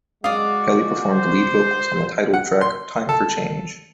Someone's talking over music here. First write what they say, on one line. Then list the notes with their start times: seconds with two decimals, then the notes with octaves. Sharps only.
Kelly performed lead vocals on the titled-track "Time for Change".
0.24 G#3 F#4 D5 F5 D#6
1.12 C5
2.34 F#5
2.61 C6
3.09 A4